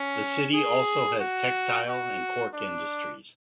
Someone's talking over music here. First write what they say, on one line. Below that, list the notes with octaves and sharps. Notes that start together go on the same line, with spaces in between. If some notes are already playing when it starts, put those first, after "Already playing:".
The city also has textile and cork industries.
Already playing: C#4
G#4
F#4
F#4
D4